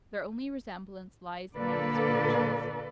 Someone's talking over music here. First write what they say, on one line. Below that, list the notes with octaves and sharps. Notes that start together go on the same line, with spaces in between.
Their only resemblance lies in their misfortunes.
A#2 D3 A#3 A4 B4 D5